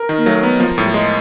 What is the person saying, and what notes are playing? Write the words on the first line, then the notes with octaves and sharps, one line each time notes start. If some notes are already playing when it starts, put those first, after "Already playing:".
'No, nothing.
Already playing: A#4
D#3
F#3
B3
F3
A2
G#3